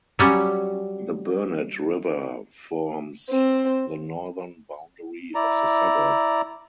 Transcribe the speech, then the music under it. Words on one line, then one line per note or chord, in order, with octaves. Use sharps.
The Burnett River forms the northern boundary of the suburb.
F#3 G3 C#4
C4
E4 D5 A#5